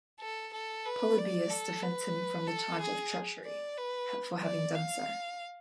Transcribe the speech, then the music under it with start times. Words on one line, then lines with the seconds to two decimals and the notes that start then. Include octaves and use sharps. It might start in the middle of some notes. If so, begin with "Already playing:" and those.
Polybius defends him from the charge of treachery for having done so.
0.20 A4
0.54 A4
0.86 B4
1.18 D5
1.50 A4
1.83 B4
2.47 A4
2.81 G#4
3.46 D5
3.77 B4
4.43 D5
4.75 F5